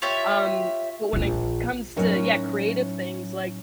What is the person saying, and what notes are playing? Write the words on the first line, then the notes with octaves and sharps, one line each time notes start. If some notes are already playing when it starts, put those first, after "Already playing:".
um, but when it comes to yeah, creative things, like,
F4 G4 C#5 E5
A#1 F4
A2 F#3 C#4 D#4 A#4 F5